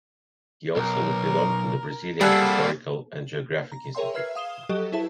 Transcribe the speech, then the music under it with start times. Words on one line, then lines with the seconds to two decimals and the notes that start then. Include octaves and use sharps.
He also belonged to the Brazilian Historical and Geographic Institute.
0.76 B1 A#4
2.21 G3 A#3 C4 G#4 A4 E5 F#5
3.72 A#5
3.95 G#4 A#4 C#5 E5 G5 C6
4.14 B4 E5 F6 G#6 C7
4.35 F5 D#6 E7 G7
4.69 F#3 G4 A4 D#5
4.92 E4 G#4 B4 C5 E5 A5